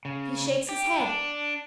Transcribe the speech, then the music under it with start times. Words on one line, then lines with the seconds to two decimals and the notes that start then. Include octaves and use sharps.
'He shakes his head!
0.05 C#3
0.69 G4
1.00 D4